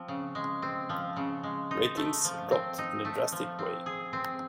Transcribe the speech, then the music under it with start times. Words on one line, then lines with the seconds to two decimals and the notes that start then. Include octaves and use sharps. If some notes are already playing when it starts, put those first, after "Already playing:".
Ratings dropped in a drastic way.
Already playing: F3 C4
0.08 C#3
0.35 G#3
0.62 C4
0.89 F3
1.17 C#3
1.43 G#3
1.71 D#4
1.97 A3
2.24 F3
2.51 C4
2.78 D#4
3.05 A3
3.32 F3
3.59 C4
3.86 G#4
4.13 C4